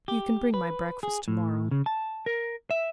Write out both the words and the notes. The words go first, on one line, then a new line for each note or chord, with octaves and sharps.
"You can bring my breakfast to-morrow."
G4
B4
G#4
A2
C#3
A5
A#4
E5